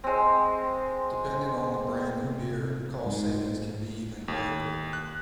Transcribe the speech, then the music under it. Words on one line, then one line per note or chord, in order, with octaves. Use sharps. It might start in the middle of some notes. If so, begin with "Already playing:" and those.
Depending on the brand of beer, cost savings can be even greater.
G#3 C4
C3
G#2
D#2
F#6